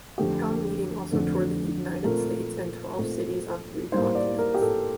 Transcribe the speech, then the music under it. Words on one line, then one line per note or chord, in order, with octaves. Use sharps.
"Town Meeting" also toured the United States and twelve cities on three continents.
F2 D3 A3 C4 G4
F2 D3 A3 C4
A#2 A3 C4 A#4
A#2 A3 C4
A2 G3 A#3 C5
C5
D5
A#4
G4
A4